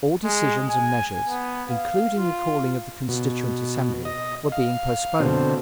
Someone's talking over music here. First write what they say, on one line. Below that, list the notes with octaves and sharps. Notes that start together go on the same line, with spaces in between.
All decisions and measures, including the calling of the Constituent Assembly, were being postponed.
G#3
G#5
B3
F5
F4
B2
D#5
F5
B2 D3 C4